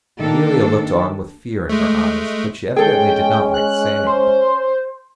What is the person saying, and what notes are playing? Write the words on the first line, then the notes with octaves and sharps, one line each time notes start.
Amelia looked on with fear in her eyes, but she evidently did not like to say anything.
D#3 A#3 D4 A4
G#3 A3
G#3 C#4 G#4 A4 G5
F#6
C5